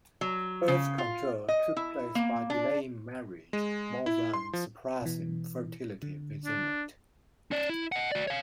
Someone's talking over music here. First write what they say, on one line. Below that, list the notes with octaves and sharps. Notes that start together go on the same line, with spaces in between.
Birth control took place by delaying marriage more than suppressing fertility within it.
F#3
C#3
F4
D#5
E4
A#3
D4
G#3
E4
C6
F3
B2 E3
D3
D4
C#4 D5
E4
D#5 F#5
F#4 D5
C#5 F5